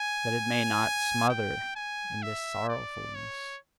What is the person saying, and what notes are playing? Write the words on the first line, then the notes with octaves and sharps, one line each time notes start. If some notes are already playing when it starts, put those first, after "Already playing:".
That it may not smother in this sorrowfulness!
Already playing: G#5
G5
G#5
E5
D5
C#5